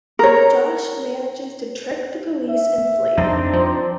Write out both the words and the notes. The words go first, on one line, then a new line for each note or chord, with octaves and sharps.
Josh manages to trick the police and flee.
A#4 C#5
E5
F2 C4 D4 D#4
F3 C5